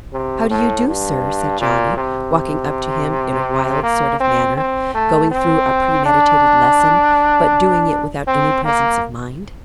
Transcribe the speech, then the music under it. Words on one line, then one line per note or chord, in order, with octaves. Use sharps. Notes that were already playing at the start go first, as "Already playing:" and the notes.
"How do you do, sir?" said Johnny, walking up to him in a wild sort of manner,--going through a premeditated lesson, but doing it without any presence of mind.
C3
A2
G2
A#2
C3
A#3
C4
C4
A3
C4
D4
C4
A#3